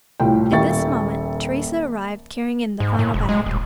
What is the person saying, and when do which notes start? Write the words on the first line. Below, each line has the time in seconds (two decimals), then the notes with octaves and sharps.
At this moment Teresa arrived carrying in the final bag.
0.20 C2 A2 F4 G5
0.52 D#1 A#3 E5 G5 C#6 A6
2.80 G#2
2.99 A2
3.14 F1
3.29 G#3
3.46 D#1